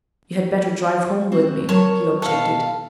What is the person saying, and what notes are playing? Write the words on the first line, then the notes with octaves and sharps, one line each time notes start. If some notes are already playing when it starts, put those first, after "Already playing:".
"You had better drive home with me," he objected.
C4 F#4
F#3 A#4 C#5 A5
B2 E4 A4 F5